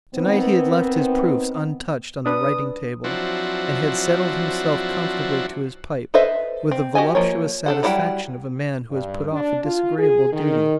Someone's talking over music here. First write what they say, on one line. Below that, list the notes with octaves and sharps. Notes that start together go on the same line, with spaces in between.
To-night he had left his proofs untouched on the writing-table, and had settled himself comfortably to his pipe, with the voluptuous satisfaction of a man who has put off a disagreeable duty.
D#3 B3 C4
D4 B4 D#6
F3 F#3 C4 D4 E4 F#4
A4 B4 C5 D#5 E5
C4
F#4 G4 D#5 G#5
F3 A#3 C#5
D4 A4 F#5
F#3 G3 E4 F#5 G5
G2
D4
F4
G#4
D#3